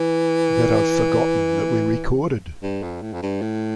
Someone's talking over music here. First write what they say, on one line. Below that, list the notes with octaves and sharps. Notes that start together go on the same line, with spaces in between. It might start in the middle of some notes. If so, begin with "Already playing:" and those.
That I've forgotten that we recorded.
Already playing: E3
G2
F2
A2
F2
G2
A2